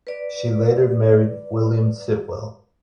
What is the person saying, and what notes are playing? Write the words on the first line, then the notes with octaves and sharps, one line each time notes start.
She later married William Sitwell.
B4 D5